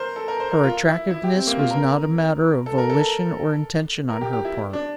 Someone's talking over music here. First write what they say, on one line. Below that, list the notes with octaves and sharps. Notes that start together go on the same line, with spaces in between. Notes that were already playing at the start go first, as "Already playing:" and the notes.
Her attractiveness was not a matter of volition or intention on her part.
Already playing: A#4 C5
A4
A#4
C5
A#4
F4
E4
E4
G4
C4
A#3
F4
A#4
A4
A#4
A4
A#4
A#4
G4
G4
E4
D4